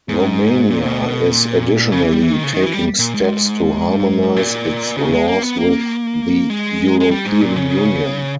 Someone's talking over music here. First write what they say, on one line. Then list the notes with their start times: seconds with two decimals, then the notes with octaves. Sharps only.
Romania is additionally taking steps to harmonize its laws with the European Union.
0.09 G#2
0.70 A#2
0.86 B2
1.31 A#2
1.92 C#3
2.02 E3
2.13 G3
2.23 E3
2.33 D#3
2.44 C#3
2.54 D#3
2.63 E3
2.73 G3
2.99 A#2
3.14 G#2
4.36 A#2
4.97 C#3
5.13 G#3
5.28 A#3
5.43 B3
5.58 A#3
6.50 G#3
7.00 G#3
7.11 G3
7.25 G#2
7.41 A#2
7.56 C#3